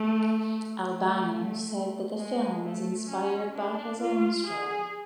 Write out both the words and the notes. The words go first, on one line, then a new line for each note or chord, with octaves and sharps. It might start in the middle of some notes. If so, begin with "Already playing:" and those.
Albano said that the film is inspired by his own story.
Already playing: A3
A3
G#3
A3
C#4
D4
F4
G#4